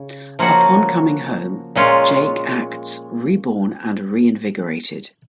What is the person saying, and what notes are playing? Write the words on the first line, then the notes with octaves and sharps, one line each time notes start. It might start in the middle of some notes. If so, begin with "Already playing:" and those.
Upon coming home, Jake acts reborn and reinvigorated.
Already playing: C#3
F3 A#3 C#4 F#4
A#2 G#3 C#4 F4